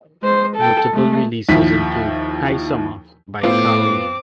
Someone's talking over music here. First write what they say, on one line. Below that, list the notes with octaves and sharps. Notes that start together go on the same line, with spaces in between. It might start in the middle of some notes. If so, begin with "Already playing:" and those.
Notable releases include "Hi Summer" by Carl Wayne.
G#3 C5
A4 G5
G#3 A3
D#2 D#3 F3 E4 B6
A2 B3 C4 F4 D6